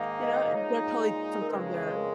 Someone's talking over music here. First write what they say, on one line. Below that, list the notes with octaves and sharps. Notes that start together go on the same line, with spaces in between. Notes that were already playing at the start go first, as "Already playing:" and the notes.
You know, and they're totally different from their
Already playing: G#2 D#3 A#3 D#4 D#5 F5
D#5
F5
D#5
D#5
A#2 G#3 D#4 C#5
A#4
F2 C#3 G#3 B4
B4
A#4